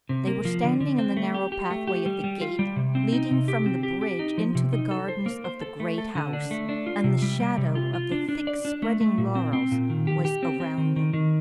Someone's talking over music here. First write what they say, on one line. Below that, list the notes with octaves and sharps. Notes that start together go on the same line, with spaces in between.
They were standing in the narrow pathway of the gate leading from the bridge into the gardens of the Great House, and the shadow of the thick-spreading laurels was around them.
C3
A#3
F3
D3
D3
C4
A3
G4
G4
A3
G4
G3
G3
F4
G3
C3
C4
D#4
C3
G4
C4
G4
G4
D#4
F3
C3
D#4
A4
C5
A#3
C5
A4
A3
A4
D3
D4
A3
D4
F4
C3
G3
G3
C3
F4
F4
D4
D4
D5
D4
A3
A3
A#2
C4
C4
A#2
D#3
G4
G4
C4
C4
D#3
D#3
D#3